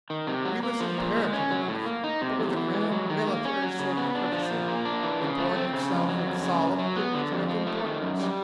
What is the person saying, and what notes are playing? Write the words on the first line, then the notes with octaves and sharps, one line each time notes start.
He was imperative enough, but with a grand military sort of courtesy, and bore himself with solemn dignity of importance.
D#3
C3
F#3
A#3
F3
A#2
G#3
C#4
F#3
A2
A#3
D#4
C3
E2
E3
G#3
F#3
D#3
A#3
C#4
F#3
C#3
B3
D4
F3
A#2
A#3
D4
E3
C#3
A3
C4
C#3
F2
F#3
F2
C#3
F#2
F#3
B3
D3
F2
F3
A3
D#3
F#2
G3